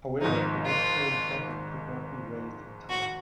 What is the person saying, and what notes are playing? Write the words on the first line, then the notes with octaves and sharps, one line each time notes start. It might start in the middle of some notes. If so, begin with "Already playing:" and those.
However, the necessary funding could not be raised in time.
G#1 G#2 F3 D#4
F4
F#4